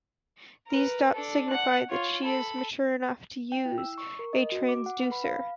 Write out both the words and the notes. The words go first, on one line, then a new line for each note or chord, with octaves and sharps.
These dots signify that she is mature enough to use a Transducer.
A#4 B4
D4 A4
F#5 F#6
F4 C#5
A4 B5
G5
E4
E6
C#6
A#4
D#5
F#4
D6
F#5
B4
B5
F5